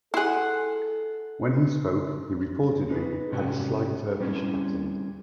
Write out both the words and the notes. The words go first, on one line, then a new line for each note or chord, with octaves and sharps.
When he spoke, he reportedly had a slight Turkish accent.
E4 G#4 A4 F#5 C6
D#4 B4
G#2 C3 C#4 D4 F#4 G4
G3 C4 C#4 E4 G#4